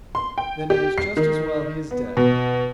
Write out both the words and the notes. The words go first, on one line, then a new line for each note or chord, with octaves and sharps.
"Then it is just as well he is dead."
C6
G5
G4
C7
D#3
B3
B2